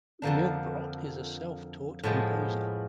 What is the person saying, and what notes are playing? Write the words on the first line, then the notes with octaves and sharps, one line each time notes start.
Milbrodt is a self-taught composer.
F2 D3 F3 A#3 D4
A2 F3 G#3 B3